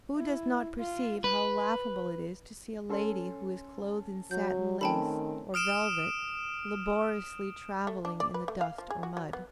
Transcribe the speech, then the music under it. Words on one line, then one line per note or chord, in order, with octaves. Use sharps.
Who does not perceive how laughable it is to see a lady who is clothed in satin lace, or velvet, laboriously travelling in the dust or mud.
E4
F4
B4
C#4 A4 C6
F#3 G6
D#3 A3 C4 C#4 G5 A5 B5
D#6 F6 D7 E7
A3
D4
D5
B4
A3
F5
F3
G#4
F#4
F#3
B3